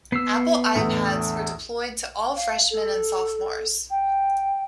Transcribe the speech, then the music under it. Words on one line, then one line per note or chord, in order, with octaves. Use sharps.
Apple iPads were deployed to all freshman and sophomores.
B3 E6 C7
E2 A2 D3
F5
A4
G5